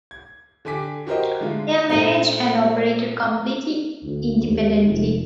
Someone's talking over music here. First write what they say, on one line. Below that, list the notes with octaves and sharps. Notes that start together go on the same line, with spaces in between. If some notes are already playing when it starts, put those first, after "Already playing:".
They are managed and operated completely independently.
G#6
D3 G4 G#5 D6 B6
F#4 G4 A#4 C5 D#5
D3 G#3 A3 F4
A#2 A3 A#3 C4
D2
D#2
F1